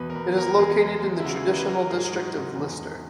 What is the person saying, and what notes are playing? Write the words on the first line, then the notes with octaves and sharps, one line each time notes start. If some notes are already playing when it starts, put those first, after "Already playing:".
It is located in the traditional district of Lister.
Already playing: E2 B2 B4
A#4
E2 B4
E2 A#4
E2 G#4
G#3
G#3
E4
C#3 F#4
G#4
E3 A#4
B4
F#3 A#4
G#2 G#4
G#2 F#4
G#2
E2
E2